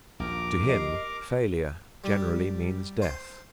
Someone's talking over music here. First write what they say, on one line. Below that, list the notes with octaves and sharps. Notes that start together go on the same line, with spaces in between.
To him failure generally means death.
A#1 D#2 A#4 D6
G4 D#5 C7
G3
C5